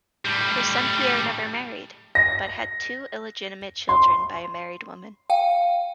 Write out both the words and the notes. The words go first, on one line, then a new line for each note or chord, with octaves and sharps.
Her son Pierre never married, but had two illegitimate children by a married woman.
A2 G3
A#6
C6
F5 G5